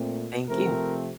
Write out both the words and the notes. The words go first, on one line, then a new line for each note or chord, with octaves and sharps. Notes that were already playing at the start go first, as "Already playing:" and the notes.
Thank you.
Already playing: A#2 A3 C4
C3 F3 A3 C4 A#4